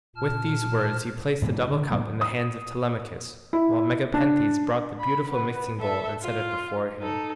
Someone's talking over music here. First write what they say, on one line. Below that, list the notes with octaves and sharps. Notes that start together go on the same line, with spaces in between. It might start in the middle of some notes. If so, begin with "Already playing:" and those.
With these words he placed the double cup in the hands of Telemachus, while Megapenthes brought the beautiful mixing bowl and set it before him.
A#2 A5 F6
G#2 B2 E3
D3 D#3
G#2 B2 F#3 A#3
D#6
E4
D4
B5
B3 B4
A4 E5
F4 F5
D#4 A4